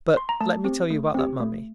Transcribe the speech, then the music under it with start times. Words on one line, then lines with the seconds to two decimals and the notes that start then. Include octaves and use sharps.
But let me tell you about that mummy.
0.17 C6
0.29 A#5
0.40 A3 A5
0.64 C4 G4
0.90 A3
1.15 C4 G4
1.40 A3